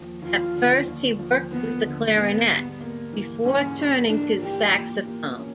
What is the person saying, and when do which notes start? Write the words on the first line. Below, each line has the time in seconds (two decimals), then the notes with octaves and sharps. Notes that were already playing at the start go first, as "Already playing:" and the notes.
At first he worked with the clarinet, before turning to the saxophone.
Already playing: D#2 F3
0.22 D#2 F4
0.55 D3
0.87 D#2
1.19 F3
1.51 D#2 B3
1.84 D3
2.16 G#2 B3
2.48 G3
2.80 A#3
3.13 E3
3.45 G#2 C#4
3.78 G3
4.10 A#3 D4
4.42 E3 G4
4.74 A#2
5.06 A#3
5.39 C#4